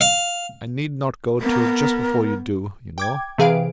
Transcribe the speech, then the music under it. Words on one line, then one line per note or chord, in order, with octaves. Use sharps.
I need not go till just before you do, you know.
F5
B3 A#4
G5 D6 G#6
C3 E3 G#4 B4 F5 D7